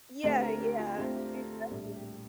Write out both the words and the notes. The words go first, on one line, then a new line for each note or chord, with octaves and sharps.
Yeah, yeah. Exactly.
D2 D3 A3 C4 G4
A#4
G4
F4
D2 D3 A3 C4 G4
G4
A4
A4
A#1 A2 G3
G4